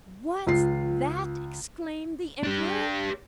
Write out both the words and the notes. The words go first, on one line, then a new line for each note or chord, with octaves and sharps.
"What's that?" exclaimed the Emperor.
C#2 F4 C7
D4 G4